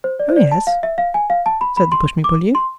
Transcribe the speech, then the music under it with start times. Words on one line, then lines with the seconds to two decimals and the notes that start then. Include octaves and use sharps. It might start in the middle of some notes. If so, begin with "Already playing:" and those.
"Oh, yes," said the pushmi-pullyu.
0.04 C5
0.19 D5
0.30 C5
0.36 D5
0.51 A5
0.67 F5
0.83 E5
0.98 F5
1.14 G#5
1.30 F5
1.46 A5
1.61 B5
1.77 B5
1.92 C6
2.24 D6
2.55 C6